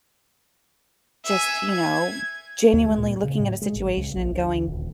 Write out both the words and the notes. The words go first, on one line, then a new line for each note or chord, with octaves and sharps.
just, you know, genuinely looking at a situation and going,
E5 G#5
G#6
D2
G#3
A#2
C#3
A2
G#3
G#1
C#2
A#1
D2
D#1